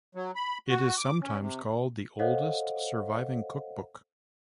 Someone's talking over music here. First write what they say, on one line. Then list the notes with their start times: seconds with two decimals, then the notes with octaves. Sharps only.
It is sometimes called the oldest surviving cookbook.
0.15 F#3
0.35 B5
0.68 F#4
0.97 D6
1.22 C#4
1.39 C3
2.19 A4 C5 C#5 D#5 F5 F#5